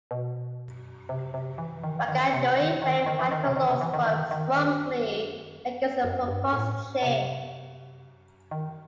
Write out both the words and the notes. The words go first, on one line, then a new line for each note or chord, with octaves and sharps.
Wanganui Mayor Michael Laws spoke strongly against the proposed change.
B2
C3
C3
E3
D#3
E3
D#3
C3
D#3
D#3
D#3
E3
D#3
C3
D#3
C3
E3
D#3
D#3
D#3
D#3
F#2
G2
A2
C3
D#3